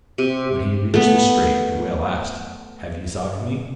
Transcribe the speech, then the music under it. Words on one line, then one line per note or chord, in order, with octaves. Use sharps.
When he reached the strait the whale asked: 'Have you thought of me?'
C3
A3 B3